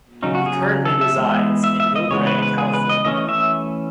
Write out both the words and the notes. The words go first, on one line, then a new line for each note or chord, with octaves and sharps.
He currently resides in Millbrae, California.
C#3 F#3 C#4 D#4
F#4
G#4
A4
E5
E3 G#3 B3
E5
E5
D#5
C#3 E3 G#3 B3 C#5
B4
B4
G#4
B4
D#5
E3 A3 C#4 D#5
E5